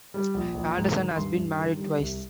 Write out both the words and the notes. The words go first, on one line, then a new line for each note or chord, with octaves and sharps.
Anderson has been married twice.
G3
A#1
A#1
G#2
D#3
G2 C6
G2
D#3
G3
C2